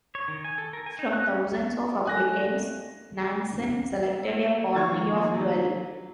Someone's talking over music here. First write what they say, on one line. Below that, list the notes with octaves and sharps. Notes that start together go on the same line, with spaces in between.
From thousands of applicants, Nansen selected a party of twelve.
C#5
D#3
G#5
A4
A#4
G#5
D#4
F#6
C#4
D#2 D#3 A3 G#5 F#6 A#6
A#3 E5
D#3 F3 C#6 G#6 A6
F#3